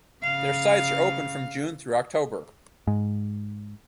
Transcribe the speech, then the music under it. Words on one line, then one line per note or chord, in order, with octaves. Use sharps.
Their sites are open from June through October.
C#3 F5
G#2